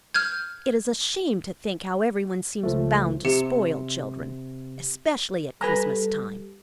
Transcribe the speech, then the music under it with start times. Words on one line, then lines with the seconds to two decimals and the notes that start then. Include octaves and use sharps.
It is a shame to think how every one seems bound to spoil children, especially at Christmas time.
0.14 F6 G6 G#6
2.63 C#2 F3 A3
3.25 C3 G4 C#7
5.61 G3 A4 B4 G#5 A#5